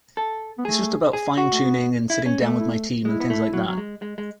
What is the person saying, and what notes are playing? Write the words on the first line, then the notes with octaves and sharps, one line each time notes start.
It's just about fine-tuning and sitting down with my team and things like that.
A4
B3
A3 G#4
G#4
F#4
A3
B3
E4
C#4
A3
E4
G#3 E4
B3
A3
F#3
F#3
G#3
G#3
G#3